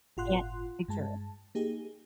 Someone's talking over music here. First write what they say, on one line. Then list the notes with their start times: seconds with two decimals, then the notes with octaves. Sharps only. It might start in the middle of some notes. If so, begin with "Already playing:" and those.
can't picture it.
0.17 G1 A2 F4 F#5 C6 F#6
0.88 G2 G#3 A5
1.55 A#3 D#4 G4 G#4